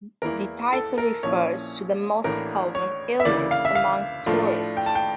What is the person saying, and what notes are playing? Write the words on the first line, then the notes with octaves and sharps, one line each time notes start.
The title refers to the most common illness among tourists.
E2 E3 A#3 E4 A#4
A4
A#4
A#1 A#2 F3 C#4 E4 C#5
A1 A2 E3 A#3 D4 A#4
C#5
E5
D2 C#3 E3 A#3 E4 D5
F5
E5
F5
A2 F3 A3 D4 F4
G5
A5
G5